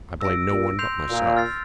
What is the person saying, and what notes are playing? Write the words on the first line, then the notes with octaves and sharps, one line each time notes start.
I blame no one but myself.
G2 E6 A#6 D7
A#2
C6 G6 C7 F7
A#2
F6 A6 C7